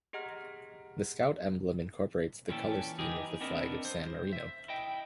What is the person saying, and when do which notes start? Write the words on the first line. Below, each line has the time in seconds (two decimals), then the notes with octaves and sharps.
The Scout emblem incorporates the color scheme of the flag of San Marino.
0.13 G4 G#4 D#5 F#5 A#5 F6
2.49 A#2 E3 C#4 D4 G4 A4
2.99 E3 D#4 G4 G#4
3.40 B3 C4 D4 E4 A#4 D#5
3.85 C5
4.33 E5
4.68 E4 D#5 G5